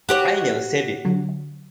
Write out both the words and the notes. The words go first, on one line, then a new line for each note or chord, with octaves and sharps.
I never said it.
F#4 G4 C#5
D3 F#3